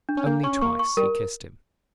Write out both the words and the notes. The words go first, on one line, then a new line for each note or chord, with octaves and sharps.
Only twice he kissed him.
D4
C#4
A#3 D4
C#4 C#6
A#3 C#6
C#6
G3 A#4